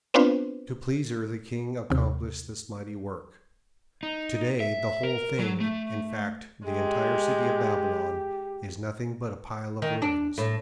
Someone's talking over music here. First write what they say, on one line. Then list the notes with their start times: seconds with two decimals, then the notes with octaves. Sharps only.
To please her the king accomplished this mighty work. Today the whole thing, in fact, the entire city of Babylon, is nothing but a pile of ruins.
0.14 B3 C4 D4 F4 B4 C5
1.90 D#2 C3
4.03 D#4
4.60 E5
5.03 A#4
5.39 F#3
5.60 A3
6.67 G#3 G4
9.82 D#3
10.02 D4
10.38 A2